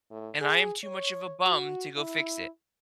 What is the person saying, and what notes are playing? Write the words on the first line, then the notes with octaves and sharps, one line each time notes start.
and I am too much of a bum to go fix it.
A2
G#4
C#5
F#4
E4